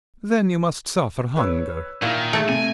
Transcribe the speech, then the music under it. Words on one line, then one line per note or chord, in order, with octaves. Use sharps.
"Then you must suffer hunger."
B4 C#5 E6
A#2 D#3 E4
G#3 A3 A6 D7
C3 G#5